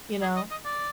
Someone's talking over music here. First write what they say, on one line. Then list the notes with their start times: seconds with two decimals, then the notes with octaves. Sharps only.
you know?
0.22 G#4
0.36 D#5
0.51 D#5
0.65 D5